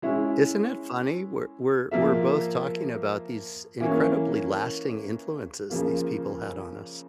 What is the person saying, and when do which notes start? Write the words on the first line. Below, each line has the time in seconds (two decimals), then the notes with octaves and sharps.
Isn't it funny? We're we're we're both talking about these incredibly lasting influences these people had on us.
0.02 G#3 C#4 E4
1.91 F3 A#3 F4 A#4 E5
3.80 E3 A#3 C#4
5.70 C#3 F3 A#3 F4